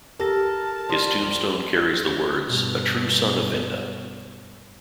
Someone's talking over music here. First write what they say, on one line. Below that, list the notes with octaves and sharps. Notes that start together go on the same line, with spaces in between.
His tombstone carries the words, "A True Son of Venda".
G4 A4 A#4 A5 A#6
F3 G3
G2 B2